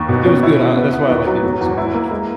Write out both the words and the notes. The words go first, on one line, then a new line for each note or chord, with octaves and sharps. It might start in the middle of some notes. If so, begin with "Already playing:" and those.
it was good. I that's why I liked Italy so much,
Already playing: D#2
B2
C#4
E4
E4
B3
B3
D#2
F#3
E2
E2
E4
A#3
G#3